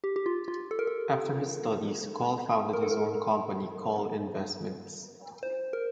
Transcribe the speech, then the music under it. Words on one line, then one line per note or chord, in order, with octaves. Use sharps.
After his studies Kohl founded his own company "Kohl Investments".
G4
G4
F4
F4
A4
A#4
A4
A#4
A4
A#4
C5
A#4